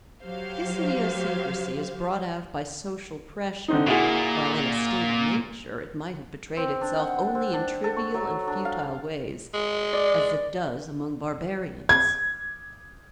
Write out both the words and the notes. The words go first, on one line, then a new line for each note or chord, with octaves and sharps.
This idiosyncrasy is brought out by social pressure, while in a state of nature it might have betrayed itself only in trivial and futile ways, as it does among barbarians.
F#3 G4 C5 F5
D3 C4 D#4
A#2 A#3 E4 F#4 G#4
C4
D4
F#5
C4
D4
A4
C#6
F#3
D4
F5
G#3
D5
G#6